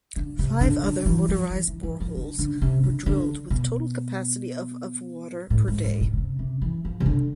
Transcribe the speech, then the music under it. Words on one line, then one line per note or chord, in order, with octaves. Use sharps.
Five other "motorised boreholes" were drilled with total capacity of of water per day.
D3
C3
D3
D3
E3
F3
E3
E3
E3
F3
D3
D3
C3
D3
D3
B2
A2
G#2
G#2
B2
B2
C3
C3
E3
F3
C3
D3